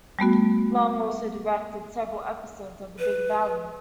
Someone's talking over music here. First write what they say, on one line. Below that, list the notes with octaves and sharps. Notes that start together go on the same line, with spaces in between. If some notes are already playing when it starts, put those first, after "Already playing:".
Long also directed several episodes of "The Big Valley".
G3 A3 B3 F#4
B4